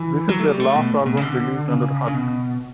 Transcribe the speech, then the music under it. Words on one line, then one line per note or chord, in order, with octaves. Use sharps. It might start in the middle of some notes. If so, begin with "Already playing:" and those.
This is their last album released under Hut.
Already playing: E3
F#3
A3
G3
A3
B2
A2
B2
C#3
D3
C#3
C#3
B2